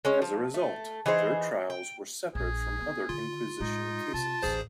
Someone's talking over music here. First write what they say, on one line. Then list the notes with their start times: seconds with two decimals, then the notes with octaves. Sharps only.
As a result their trials were separate from other inquisition cases.
0.05 G#3 C#4 C#5
0.22 F3
0.54 A3
1.06 E3 D#4 G#4 C5
1.70 G5
2.35 A#1 D4 G#4
2.80 B3
3.09 D3 D#3 F4
3.60 A2 G#3 D#4
4.14 C3 A5
4.42 A1 D2 A2 G#4 C5